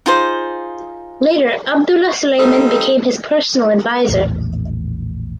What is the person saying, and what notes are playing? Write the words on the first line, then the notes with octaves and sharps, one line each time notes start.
Later Abdullah Suleiman became his personal advisor.
D#4 F4 G#4 C5
G3 A#3 C4 D#4 A4 D#5
A#1 E2 A2